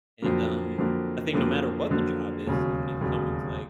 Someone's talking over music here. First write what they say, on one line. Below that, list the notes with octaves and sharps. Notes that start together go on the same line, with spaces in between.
And, um, I think no matter what the job is, even if someone's like
F2 D3 F#3 A#3
F2 D3 F#3 A#3
F2 D3 F#3 A#3
F2 D3 F#3 A#3
E1 D#2 C#3 F#3
E1 D#2 C#3 F#3